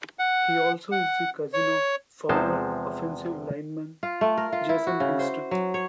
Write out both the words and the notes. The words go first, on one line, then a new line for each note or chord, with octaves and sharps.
He also is the cousin of former offensive lineman Jason Pinkston.
F#5
F#5
C#5
E2 C3 F3 G#3 C5 A5
F4
A3
A#4
F4
E4
F#4
C#3
C5
F#3
C#5